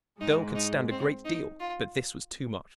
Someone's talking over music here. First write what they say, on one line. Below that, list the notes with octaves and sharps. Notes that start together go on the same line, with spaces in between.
The girl could stand a great deal, but this was too much.
G#2 G#3 D#4
D#4
C4
D#4
F4